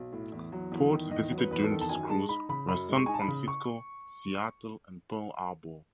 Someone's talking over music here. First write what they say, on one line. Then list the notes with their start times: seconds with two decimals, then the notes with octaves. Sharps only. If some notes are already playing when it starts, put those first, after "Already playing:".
Ports visited during this cruise were San Francisco, Seattle, and Pearl Harbor.
Already playing: B1
0.13 A2
0.32 E2
0.52 F#3
0.72 E2
0.92 D#3
1.11 E2 D#5
1.31 F#3
1.38 B4
1.51 E2 B4
1.64 A4
1.70 D#3
1.81 A5
1.89 F#2 G#5
2.09 G#3 A5
2.29 D#4 B5
2.49 C#3 B5
2.69 F#2 B5
2.88 G#3
2.95 C#6
3.06 D#4 G#5
3.14 A5
3.22 B5
3.28 C#3
3.48 C#6